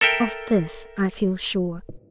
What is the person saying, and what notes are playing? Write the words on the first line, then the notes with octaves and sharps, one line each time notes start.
Of this I feel sure.
A4 A#4 E5 G5